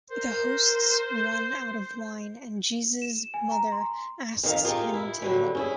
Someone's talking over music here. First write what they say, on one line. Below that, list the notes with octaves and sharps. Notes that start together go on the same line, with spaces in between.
The hosts run out of wine and Jesus' mother asks him to help.
A#4 C5
E7
G#5
A#5
C6
F2 D#3 G#4 F5
F4 G4 G#4 A#4
E4
D3 F#3 G3
C#4 E4 G#4